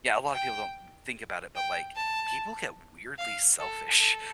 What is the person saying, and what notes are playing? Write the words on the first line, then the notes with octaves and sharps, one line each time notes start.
yeah, a lot of people don't think about it, but, like, people get weirdly selfish
G5
G5
A5
F5
A4
A4